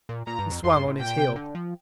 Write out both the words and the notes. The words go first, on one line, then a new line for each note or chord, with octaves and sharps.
He swung on his heel.
A#2
A#2 A#5
G2
F2
F2 C6
G2
A2
A#2 G5
C3
D3
F3